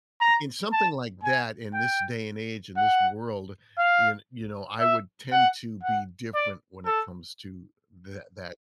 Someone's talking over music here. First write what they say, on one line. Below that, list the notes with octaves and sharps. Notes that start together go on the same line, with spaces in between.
in something like that, in this day and age, in this world, you kn you know, I would tend to be different when it comes to tha that.
A#5
A5
G#5
G5
F#5
F5
E5
F#5
F#5
D5
A4